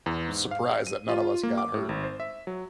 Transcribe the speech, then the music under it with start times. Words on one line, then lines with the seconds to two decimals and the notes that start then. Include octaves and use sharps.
surprise that none of us got hurt
0.06 E2
0.29 G#2
0.51 F5
0.87 D#7
1.09 F4
1.43 A#3
1.58 D6
1.74 A2
1.89 G#1
2.04 C5
2.20 E5
2.47 F#3